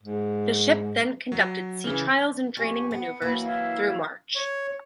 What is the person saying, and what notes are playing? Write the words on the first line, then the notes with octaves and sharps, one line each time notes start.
The ship then conducted sea trials and training maneuvers through March.
G#2
F#3
C#3 E3
F2 G4 G#5 C#6
B3 F#5
E3 F#3 A#3 B5
E4 E5 F5
C#5